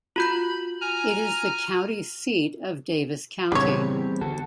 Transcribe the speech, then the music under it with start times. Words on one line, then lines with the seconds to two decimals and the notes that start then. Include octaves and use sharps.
It is the county seat of Davis County.
0.16 F4 F#4 B5 G6
0.81 G#5 A#5 F6
3.52 E2 A#2 C#3 G3 C4 D4 G4 C#5
4.21 D3 F#4 A4